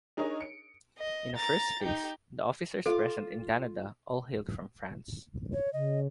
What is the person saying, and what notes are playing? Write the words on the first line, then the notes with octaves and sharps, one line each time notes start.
In a first phase, the officers present in Canada, all hailed from France.
D4 D#4 G#4 A#4 C#5 D#5
C#7 D7
D#5
A#5 A6
D#4 G4
F4 A4 D6
C#5
C#3 D#5